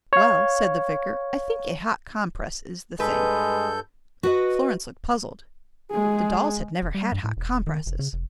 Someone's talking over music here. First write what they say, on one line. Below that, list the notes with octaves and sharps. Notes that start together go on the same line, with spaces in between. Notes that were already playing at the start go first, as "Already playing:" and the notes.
"Well," said the vicar, "I think a hot compress is the thing." Florence looked puzzled; the dolls had never had hot compresses.
C#5 F5
G2 G#3 A4 B4 G6
F#4 B4 D#5
G#3 G#4
E1
G3
G2
A2
E1
D#3
F1
C#3
F1